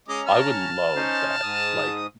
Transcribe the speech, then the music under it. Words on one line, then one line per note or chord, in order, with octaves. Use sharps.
I would love that, like
G#3 C#4 D#5 A#5 D6
A5 F6
C#4 D#4 C5
G#2 D#6